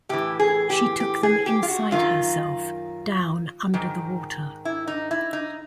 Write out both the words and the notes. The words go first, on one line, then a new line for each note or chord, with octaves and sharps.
She took them inside herself, down under the water.
A2 E3 G4
G#4
G4
G4
G#4
G4
F4
F#4
F#2 D#3 F4
G#2 D#3
E4
D#4
E4
D#4